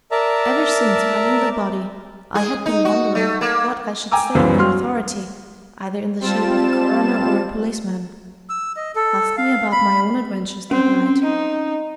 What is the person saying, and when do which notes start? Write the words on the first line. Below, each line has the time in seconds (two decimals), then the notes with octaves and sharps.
Ever since finding the body, I had been wondering what I should say when authority, either in the shape of a coroner or a policeman, asked me about my own adventures that night.
0.11 A#4 D5 E5 A5 A#5
2.35 G#4
2.66 D#4
2.85 F#4
3.15 A3
3.41 A#3
4.11 G5 G#5 A#5 D6 E6
4.35 C#2 F#2 E3 B3 C5
4.58 F#3 C6 F6
6.20 G3 C4 F4 A5 E7
8.49 E6
8.76 D#5
8.95 A4
9.37 F5
9.72 B5
10.71 C4 C#4
11.22 D#4